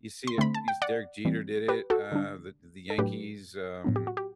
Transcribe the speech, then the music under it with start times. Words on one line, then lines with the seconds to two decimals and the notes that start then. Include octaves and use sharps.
You see it you se Derek Jeter did it, uh, the the Yankees, um,
0.27 C6
0.38 D3 A3 C4 B5
0.54 A5
0.68 G5
0.82 D5 F#5
1.25 E3 G3 C4
1.68 G4 B4
1.90 F#4 A4
2.12 D3 G3 D4
2.90 A4
2.98 A2 F#3 A3 D4 G4 B4
3.84 A2 F#3 B3 D4
3.96 G4
4.07 F#4
4.17 G4